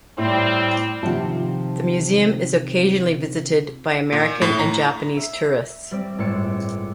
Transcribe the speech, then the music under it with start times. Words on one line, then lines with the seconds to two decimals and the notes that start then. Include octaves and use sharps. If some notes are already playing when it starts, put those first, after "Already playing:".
The museum is occasionally visited by American and Japanese tourists.
0.18 A2 G3 C4
1.03 C3 D#3 F3 F#5 A5
4.12 A#2
4.42 A2
4.59 A#5
5.17 E5
5.91 G3 C4 D5
6.18 G1 A2 G#3 D5 E6 C#7